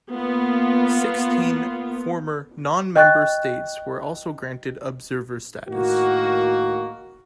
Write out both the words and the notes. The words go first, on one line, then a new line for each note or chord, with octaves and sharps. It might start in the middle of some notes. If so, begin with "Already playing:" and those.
Sixteen former non-member states were also granted observer status.
A#3 B3 F4
D#5 G5 C#6 F#6 A6
A2 D#3 A#3 F#4